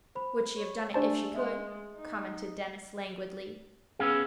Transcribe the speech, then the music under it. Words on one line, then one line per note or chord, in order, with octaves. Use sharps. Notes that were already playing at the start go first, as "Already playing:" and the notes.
"Would she have done it if she could?" commented Denis, languidly.
C5 B5
C#5
A3 D4 G4 C5 D5 G#5 A5
G#3 E5 C6
D#4
B3 C#4 G#4 F5 E6